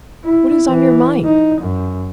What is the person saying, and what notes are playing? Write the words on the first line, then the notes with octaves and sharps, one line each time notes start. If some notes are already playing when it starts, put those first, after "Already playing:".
What is on your mind?
E4
E3
D#4
F#2